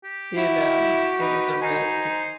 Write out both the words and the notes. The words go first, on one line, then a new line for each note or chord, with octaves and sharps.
You know, it was a real big
G4
E4 F#4
D#4 B4
D#4 C5 G#5
C5